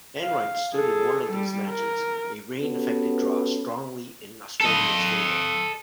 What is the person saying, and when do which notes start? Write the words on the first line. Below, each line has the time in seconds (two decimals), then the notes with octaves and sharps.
Enright stood in one of these matches, a rain-affected draw strongly in Australia's favour.
0.24 F5
0.74 G#4 A4
1.33 G3
1.70 A#4
2.60 B3 C#4 F#4 G4 A4 B4
4.61 A4 D#5